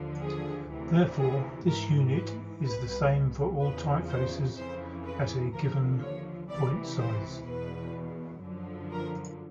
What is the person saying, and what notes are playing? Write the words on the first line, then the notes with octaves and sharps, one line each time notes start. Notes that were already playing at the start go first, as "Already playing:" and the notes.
Therefore, this unit is the same for all typefaces at a given point size.
Already playing: D#2 D3 F3
G#4
D2 C3 E3
G#4
G#2 E3 A#4
B4
C2 B2 B4
E2 C#3 F3 B4
C5
F2 C#3 E3 C5
B4
D#2 D3 F3 A#4
C#5
C#2 C3 E3 D5
C5
E2 B2 B4
F#2 D3 F3
A#4